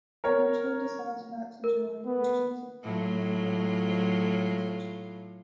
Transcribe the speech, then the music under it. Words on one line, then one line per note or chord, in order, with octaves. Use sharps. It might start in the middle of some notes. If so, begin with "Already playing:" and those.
It eventually decides not to join, wishing to remain a non-political organization.
A#4 C#5
A#4
B3
A2 F#3 F4